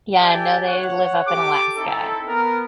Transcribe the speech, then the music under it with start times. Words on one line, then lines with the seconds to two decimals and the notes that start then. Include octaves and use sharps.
Yeah, no, they live up in Alaska.
0.18 G4 A4 D5 E5 G5 G#5
0.65 C#5 F#5
1.27 G4 A4 D6
1.77 C4 D#4 E4 A4
2.27 B3 A#4